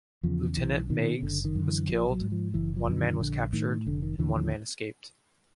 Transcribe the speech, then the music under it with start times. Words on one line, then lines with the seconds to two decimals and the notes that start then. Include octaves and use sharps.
Lieutenant Meigs was killed, one man was captured, and one man escaped.
0.23 E2 C#3 F3
0.57 B1 E3
0.90 B2 D#3
1.23 F#1 D3
1.45 D#3
1.55 F#2 D3
1.67 E3
1.88 A#1 F3
2.11 F#3
2.21 G#2
2.32 F3
2.54 F#1 E3
2.76 F3
2.88 F#2 D3
2.99 D#3
3.20 A#1 D3
3.53 A2 D#3
3.86 F1 D3
4.02 D#3
4.19 D#2 D3 E3
4.36 F3